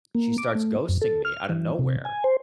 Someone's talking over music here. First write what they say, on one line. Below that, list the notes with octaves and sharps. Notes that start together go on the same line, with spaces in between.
she starts ghosting me out of nowhere,
A#3
D6
A3
F#2
A4
F6
E3
C3
G#5
C5